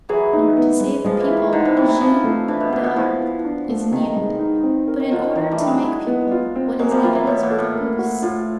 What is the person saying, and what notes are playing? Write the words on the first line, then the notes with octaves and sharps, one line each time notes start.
In order to save the people, Jeanne d'Arc is needed; but in order to make people, what is needed is Mother Goose.
E3 F#3 G#4
D#4
B3
G#3
F3 G#3
E3
E4
D#3
D3 D#4
C3
E3 F#3 C4
E3
F3 C4
A3
E3 D4
B2
A#2 B3
B2
F3 E4
B3
D4
A3
C3 D#3
G#3
D#4
C4
A#4
D#3
D3 F4
D#3
D#3 E3
G3 A3
D4
F#3 G#3
E4
B3
F4
C4
F#3 G#3 A#3
F3 G3
E3 F#3 F4
E3
B2 C#5
A#2
A4
A2
A#3
F#4
A2 F4